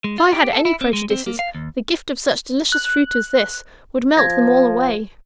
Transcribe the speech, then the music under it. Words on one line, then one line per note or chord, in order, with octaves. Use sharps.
'If I had any prejudices, the gift of such delicious fruit as this would melt them all away.
G#3
F4
G4
A4
E4
C4
G#3
C4
A#3
F5
D#2
F#6
F3 G#6 A#6